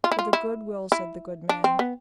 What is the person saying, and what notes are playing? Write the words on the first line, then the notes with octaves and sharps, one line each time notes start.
With a good will, said the good man.
F4
E4
F4
E4
E4
D4
C4
B3